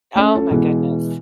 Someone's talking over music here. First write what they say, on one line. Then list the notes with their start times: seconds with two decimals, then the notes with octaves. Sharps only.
Oh, my goodness.
0.16 A3 C#4 C#5
0.35 C#4 F4 A4
0.51 B2 E3 G#3